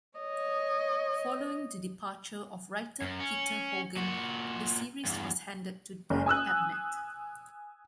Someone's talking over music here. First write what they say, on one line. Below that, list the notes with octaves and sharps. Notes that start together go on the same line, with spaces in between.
Following the departure of writer Peter Hogan, the series was handed to Dan Abnett.
C#5 D#5
F#2
C#4
A#2 F#4
E2 G2
F#1
G#5 D#6 E6 F#6